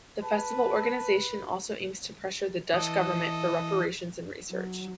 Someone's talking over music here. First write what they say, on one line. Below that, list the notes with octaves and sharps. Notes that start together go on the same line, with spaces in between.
The festival organisation also aims to pressure the Dutch government for reparations and research.
B4 A5
E3 A4 D#5 D#6
F#3